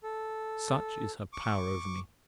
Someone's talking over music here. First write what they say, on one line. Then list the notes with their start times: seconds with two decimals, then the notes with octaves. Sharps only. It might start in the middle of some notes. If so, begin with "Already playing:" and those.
Such is her power over me!
0.03 A4
1.33 C#6 D6